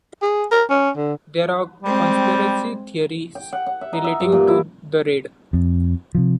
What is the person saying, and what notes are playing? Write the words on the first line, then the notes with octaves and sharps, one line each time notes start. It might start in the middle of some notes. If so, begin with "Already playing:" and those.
There are conspiracy theories relating to the raid.
G#4
A#4
C#4
D3
G3 G#3 C4
G5
F#5
F#5
E5
D#4
E5
G2
A#2
E4
F2
C3 F3